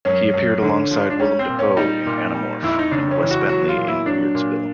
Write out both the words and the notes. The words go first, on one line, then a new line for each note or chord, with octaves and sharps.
He appeared alongside Willem Dafoe in Anamorph and Wes Bentley in "Weirdsville".
F#2 C#4
F#2
D3
F3
D4
G3 C#4
C4
A#2
C#4
G3 D#4
A#2
G3
F2 E4
D#4
C#3 D4
C#4
E3
F#4
F#3 F#4
F4
A#2
E4
F#3 D4
A#2